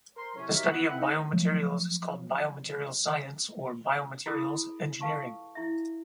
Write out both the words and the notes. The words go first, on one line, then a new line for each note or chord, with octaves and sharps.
The study of biomaterials is called biomaterials science or biomaterials engineering.
A#4 C5 A#5 C6
A2 C3 F#3 C#4
D#4 F#4 G4 A#4 C#5 E5
B3 E4 F#5
A3 C4 E4 B4 E5 F#5
D#4
F3 F#3 A3
E4 G#4 A#4 B5 D6 D#6
A4 B4 F5 A5 C#6
E4 E5